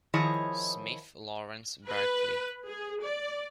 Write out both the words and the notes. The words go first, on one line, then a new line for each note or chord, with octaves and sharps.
Smith, Lawrence Berkley.
D#3 F3 E4 G#4 C#5 D#5
B4
G#4
D5